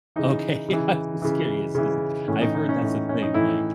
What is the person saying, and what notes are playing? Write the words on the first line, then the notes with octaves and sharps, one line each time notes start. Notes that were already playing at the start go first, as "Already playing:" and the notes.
Okay, I'm just curious ‘cause I've heard that's a thing like
C#3 E3 D#4
C#3 E3
C#3 E3
C#3 E3
A2 E3 C#4
D#4
D#4
C#4
A2 E3 D#4
C#4
D#4
A2 E3 E4